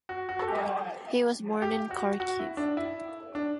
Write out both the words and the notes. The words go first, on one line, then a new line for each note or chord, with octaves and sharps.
He was born in Kharkiv.
F#4
F#4
A4
G4
G4
F#4
F#4
E4
D4
E4
D4